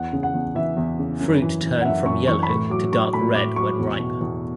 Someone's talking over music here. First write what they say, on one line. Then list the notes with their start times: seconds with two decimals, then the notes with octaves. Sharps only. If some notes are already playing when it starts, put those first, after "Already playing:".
Fruit turn from yellow to dark-red when ripe.
Already playing: E2 F#5
0.13 C#3
0.23 F#5
0.34 E2
0.55 E3 E5
0.77 E2
0.99 C#3
1.20 F#2
1.42 E3
1.63 E3
1.81 F#5
1.85 F#2 E5
2.06 F#2 C#6
2.27 E3 C#6
2.43 B5
2.49 A2 C#6
2.70 F#3 D6
2.92 F#3 C#6
3.13 A2 B5
3.35 A2 D6
3.56 F#3 C#6
3.79 E2
3.99 B2
4.21 E2